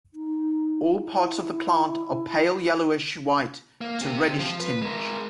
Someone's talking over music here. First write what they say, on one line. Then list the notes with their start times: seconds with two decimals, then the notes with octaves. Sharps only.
All parts of the plant are pale yellowish white to reddish-tinged.
0.14 D#4
0.99 E4
3.81 A#3
4.01 C4 G4
4.39 F3
4.60 B4
4.82 G#3 A#4